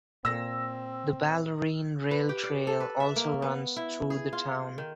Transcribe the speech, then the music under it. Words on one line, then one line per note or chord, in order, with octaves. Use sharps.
The Bellarine Rail Trail also runs through the town.
A#2 C4 E6 A#6
B4
G4
D5
A4
B4
E5
A#3
B3
E4
G#4
F4
D#3